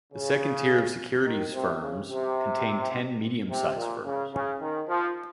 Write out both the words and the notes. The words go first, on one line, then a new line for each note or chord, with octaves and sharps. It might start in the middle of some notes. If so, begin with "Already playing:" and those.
The second tier of securities firms contained ten medium-sized firms.
C#3
D#3
C3
C#3
C3
C3
A#2
C#3
C#3
D#3
F3